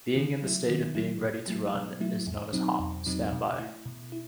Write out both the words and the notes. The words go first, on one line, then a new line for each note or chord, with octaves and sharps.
Being in the state of being ready to run is known as hot standby.
D#3
F#3 A3 E4
D#3
F#3 A3 E4
B2
F#3 A3 E4
B2
F#3 A3 E4
E2
B2 F#3 C4 D#4
E2
B2 F#3 C4 D#4
B2
A3 E4
B2
E4